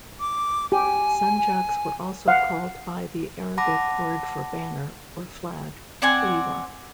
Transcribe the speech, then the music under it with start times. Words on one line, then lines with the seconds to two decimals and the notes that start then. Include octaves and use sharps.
Sanjaks were also called by the Arabic word for banner or flag: "liwa".
0.20 D6
0.72 G4 G#5
2.28 F5 F#5
3.58 F#5 A5 B5 D6 A#6
6.02 C4 D5 F#5 G#5